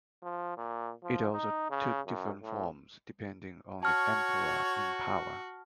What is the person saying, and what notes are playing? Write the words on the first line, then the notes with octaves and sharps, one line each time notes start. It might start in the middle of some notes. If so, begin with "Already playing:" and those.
It also took different forms depending on the emperor in power.
F3
A#2
F3
D#4
C#3
F#2
A2
F#4 C#5 A5 F6